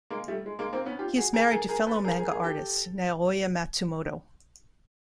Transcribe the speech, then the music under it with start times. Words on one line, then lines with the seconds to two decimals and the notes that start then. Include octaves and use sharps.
He is married to fellow manga artist, Naoya Matsumoto.
0.10 G#3 A#3
0.28 G3 A3
0.46 G#3
0.59 G#3 A#3
0.73 A#3 C4
0.85 B3 C#4
0.99 F4 G4
1.17 F#4 G#4
1.34 G#4 A#4
1.46 A4
1.51 G#4 A#4
1.69 G#4 A#4
1.87 A4 B4
2.04 G#4 A#4
2.17 G#4 A#4
2.31 G#4 A#4
2.44 G4 A4